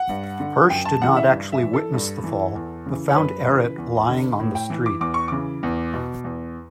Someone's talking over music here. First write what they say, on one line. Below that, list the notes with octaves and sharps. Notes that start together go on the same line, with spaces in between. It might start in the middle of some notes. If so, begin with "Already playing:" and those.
Hirsch did not actually witness the fall but found Ehret lying on the street.
Already playing: F#5
G2
D3
F#2 G5
A5
C#3 E3 F#5
E5
G2
E5
E3
A4
G2
E3
E2
C#3 E3
C#5
F#2 B4
C#3 E3
E2
D3
A2
G5
E3
D6
E2 D6
C#6
C#3 E3 D6
E2
B2
E2